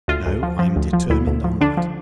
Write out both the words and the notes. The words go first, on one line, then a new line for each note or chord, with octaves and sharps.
No: I'm determined on that.
D2 F4
D2
F3
F3
D2
F3
D2 E4
D2
F3
D3 D4
F3